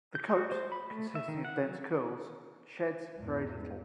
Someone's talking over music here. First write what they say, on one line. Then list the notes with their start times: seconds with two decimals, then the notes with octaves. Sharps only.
The coat, consisting of dense curls, sheds very little.
0.15 G6
0.30 F#4
0.52 C5
0.72 B5
0.91 A3
1.15 E5
1.28 D#3
1.45 F#5
1.63 F#3
3.17 E2 G#2